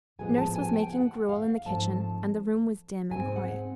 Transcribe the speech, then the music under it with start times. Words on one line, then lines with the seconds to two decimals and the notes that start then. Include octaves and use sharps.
Nurse was making gruel in the kitchen, and the room was dim and quiet.
0.19 A2 F3 G#3 B3 G#5
0.38 A5
0.56 G#5
0.73 G5
0.93 F#5
1.29 F5
1.65 G#2 F3 A3 C4 A5
3.11 G#2 F3 G#3 C4 G#5
3.36 F#5